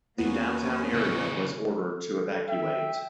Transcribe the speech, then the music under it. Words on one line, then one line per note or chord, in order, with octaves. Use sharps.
The downtown area was ordered to evacuate.
E2 A#3 B3 C#4
C#3 E3
A4
E5 G5